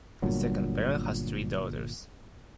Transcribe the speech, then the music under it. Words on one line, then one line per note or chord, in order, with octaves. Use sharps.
The second baron has three daughters.
G1 G2 A#2 F#3